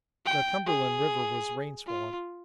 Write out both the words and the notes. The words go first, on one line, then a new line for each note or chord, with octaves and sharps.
The Cumberland River was rain-swollen.
G5
G#4
F4